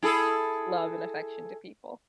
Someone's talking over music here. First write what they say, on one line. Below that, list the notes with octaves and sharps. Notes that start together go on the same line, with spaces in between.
love and affection to people.
E4 G#4 A4